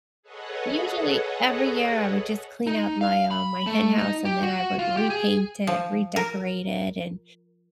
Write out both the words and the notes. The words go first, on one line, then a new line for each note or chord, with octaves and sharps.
usually, every year, I would just clean out my, um, my hen house, and then I would repaint it, redecorate it, and
G#4 A4 B4 C#5 D#5 F#5
D#4
F5
B5
A3
D#4
G4
F#4
F4
G4
G#4
F3
A#4